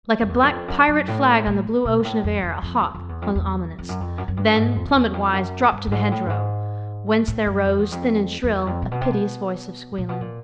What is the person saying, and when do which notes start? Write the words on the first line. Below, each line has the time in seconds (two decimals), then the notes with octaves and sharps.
Like a black pirate flag on the blue ocean of air, a hawk hung ominous; then, plummet-wise, dropped to the hedgerow, whence there rose, thin and shrill, a piteous voice of squealing.
0.22 F2
0.29 E2
0.43 F#2
0.49 F2
0.68 F#2
0.87 F#2
1.08 A2
1.47 A2
1.85 B2
1.99 G#2
2.05 A2
2.24 F2
2.43 F2
2.62 F2
2.81 E2
2.95 F2
3.09 E2
3.22 F2
3.35 E2
3.78 F2
3.89 F#2
4.00 F2
4.18 F#2
4.28 F#2
4.37 G2
4.55 G#2
4.76 F2
4.89 F2
4.95 E2
5.13 F2
5.33 F#2
5.71 G2
5.87 G2
5.92 G#2
6.11 A2
6.26 G2
6.30 G#2
7.28 A2
7.46 F#2
7.66 F2
7.79 E2
7.92 F2
8.43 F2
8.55 E2
8.67 F2
8.82 A#2
8.91 B2
9.01 C3
9.11 B2
9.98 A#2
10.09 B2
10.21 A#2